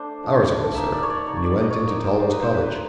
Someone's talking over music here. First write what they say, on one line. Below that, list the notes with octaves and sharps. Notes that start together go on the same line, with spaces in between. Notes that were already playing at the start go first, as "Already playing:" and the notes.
"Hours ago, sir--when you went into Toller's cottage."
Already playing: A3 D4 C5
F3 A3 D4
A#3 D#4 E5
D5
C#5
D5
A#3 D#4 C#5
D5
D#5
C#5
A#3 D#4 D5
C5
A#3 D#4 B4
C5
B4